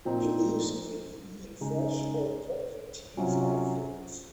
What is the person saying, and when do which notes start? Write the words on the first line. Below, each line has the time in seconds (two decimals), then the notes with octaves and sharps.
The leaves can be eaten fresh or put in teas and foods.
0.05 A#2 F3 C4 D#4
1.61 C#3 G#3 D#4
3.17 C3 F#3 C#4 F4